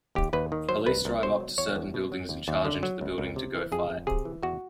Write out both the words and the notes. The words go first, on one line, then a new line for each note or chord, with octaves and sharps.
Police drive up to certain buildings and charge into the building to go fight.
D#2 G4
D#2 B4
D#3
F#3 C5
C2 B4
C2
B2 C5
F#3
E2 C#5
E2
B2
F#3
D#2
D#2
D3
F#3
C#2
C#2
C3
E3
F2 G#4
F2
C3 G#4
E3
E2 F#4